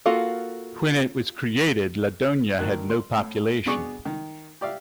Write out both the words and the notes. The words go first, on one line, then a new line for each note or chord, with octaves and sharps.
When it was created, Ladonia had no population.
A#3 F4 F#4 A4 F5
D2 D#3 A#4 F#6
C6
A2
B2 B3 D4 G#4 C#6 D6
D#3
G4 D5 E5 F5